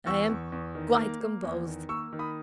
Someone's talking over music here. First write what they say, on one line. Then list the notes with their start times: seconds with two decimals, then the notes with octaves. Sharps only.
"I am--quite composed."
0.06 E2 C#6 E6
0.29 E2
0.52 E2
0.75 D#3
0.97 A#3
1.21 A#3
1.43 E2
1.66 D#3
1.89 A#3 C#6 E6
2.13 D#3
2.19 B5 D#6